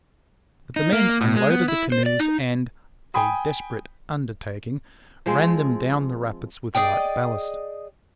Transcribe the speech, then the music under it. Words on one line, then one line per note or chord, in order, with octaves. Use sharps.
But the men unloaded the canoes and--'a desperate undertaking'--ran them down the rapids with light ballast.
D#4
A#3
A2
G#3
B3
E4
C5
D5
D#4
G5 G#5 B5 D#6
F3 G#3 C4
G#4 D5 D#5 G5